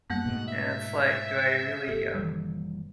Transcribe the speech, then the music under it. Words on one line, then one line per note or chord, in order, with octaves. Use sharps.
And, it's like, do I really, um,
F#2 G3 A#3 B3 F#5
G#2 B2 A3
E5
F#1 A#2 G4 A4
D#3 E3 G3